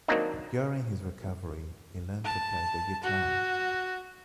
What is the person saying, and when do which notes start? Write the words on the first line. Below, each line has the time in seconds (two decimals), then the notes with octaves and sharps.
During his recovery he learned to play the guitar.
0.08 D#3 F#3 A#3 C4 D4 D#4
2.25 A5
3.03 F#4